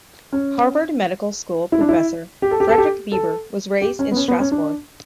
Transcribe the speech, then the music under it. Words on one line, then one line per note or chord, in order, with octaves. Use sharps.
Harvard Medical School professor, Frederick Bieber, was raised in Strasbourg.
C#4
E4
D4
E4
G4
A4
G4
A4
G4
A4
G4
C#4
B3
C#4
B3
C#4
D4